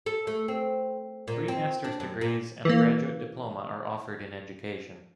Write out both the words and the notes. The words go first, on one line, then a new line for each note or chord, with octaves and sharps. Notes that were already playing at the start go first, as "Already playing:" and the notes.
Three master's degrees and a graduate diploma are offered in education.
A4
A3
C4
A#2
C4
D4
F#2
A#2
E3 A#3